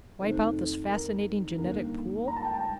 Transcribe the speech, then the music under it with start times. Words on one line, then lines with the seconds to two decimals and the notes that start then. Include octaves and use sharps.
Wipe out this fascinating genetic pool?
0.19 F2 C3 D#3 A3 C5
0.88 A#4
1.58 D#2 D3 G3 A#3 A#4
2.28 A#5
2.36 A5
2.45 G5
2.54 A5